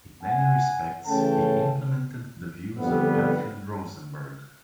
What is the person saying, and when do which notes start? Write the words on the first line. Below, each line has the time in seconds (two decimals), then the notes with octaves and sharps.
In many respects, he implemented the views of Alfred Rosenberg.
0.24 F#5 G#5
1.08 C#3 E3 A3 C#4 G5 A5
2.75 F2 D3 G3 B3